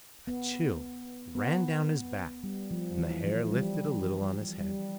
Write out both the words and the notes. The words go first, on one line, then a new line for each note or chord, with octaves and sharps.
A chill ran down his back and the hair lifted a little on his head.
B3
B3
G3
F3
E3
F3
G3
G3